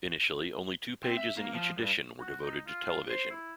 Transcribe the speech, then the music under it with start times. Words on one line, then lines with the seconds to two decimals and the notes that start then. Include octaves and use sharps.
Initially only two pages in each edition were devoted to television.
1.04 C4
1.17 E5
1.37 A#3
1.54 F3
1.78 G2
2.20 F#4
2.41 D#4
2.67 F4
3.09 C5
3.31 E4